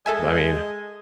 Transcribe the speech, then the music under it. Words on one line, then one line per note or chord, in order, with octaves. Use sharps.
I mean,
G#3 A4 D#5 E5 G#5